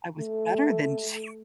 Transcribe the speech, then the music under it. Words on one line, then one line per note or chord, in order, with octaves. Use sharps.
I was better than she
A3